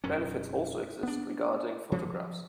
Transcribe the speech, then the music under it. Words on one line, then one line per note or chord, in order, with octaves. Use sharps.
Benefits also exist regarding photographs.
E1 F#2 C#4
B3 D4
F3